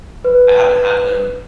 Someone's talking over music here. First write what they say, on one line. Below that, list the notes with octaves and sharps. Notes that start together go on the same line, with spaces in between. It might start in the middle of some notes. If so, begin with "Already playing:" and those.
I haven't had them
B4